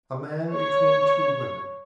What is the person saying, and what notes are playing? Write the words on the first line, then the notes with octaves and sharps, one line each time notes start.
A man between two women.
C#5